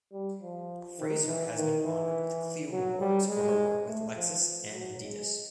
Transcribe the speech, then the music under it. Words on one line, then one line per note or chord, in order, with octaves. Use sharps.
Fraser has been honored with Clio awards for her work with Lexus and Adidas.
G3
F3
D#3
E3
D#3
E3
F#3
G3
G#3
A3
F3
F#3
G#3